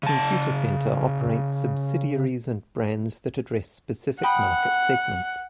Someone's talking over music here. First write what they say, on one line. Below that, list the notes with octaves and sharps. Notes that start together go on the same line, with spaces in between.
Computacenter operates subsidiaries and brands that address specific market segments.
C#3 A5
F#5 G5 B5 D#6